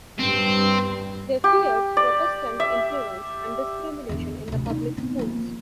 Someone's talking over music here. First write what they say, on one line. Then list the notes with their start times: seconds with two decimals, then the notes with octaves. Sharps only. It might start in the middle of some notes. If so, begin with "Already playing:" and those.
They feared Protestant influence and discrimination in the public schools.
0.19 G2 G3 C4
1.44 G4
1.97 D5
2.60 E5
4.09 E2 D3
4.48 D2 C3
4.66 D4 D#4
4.97 B3 C4
5.19 F3 A#3